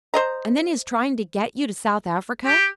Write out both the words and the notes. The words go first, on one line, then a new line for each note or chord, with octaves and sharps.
And then his trying to get you to South Africa.
C5 D#5 A#5
G4